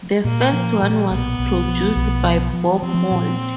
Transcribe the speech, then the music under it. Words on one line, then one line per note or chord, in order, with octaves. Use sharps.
The first one was produced by Bob Mould.
A#2 A#3
F3
A#2
B1 B3
B1
F3
B1
F3
F3
F3 C4
A#2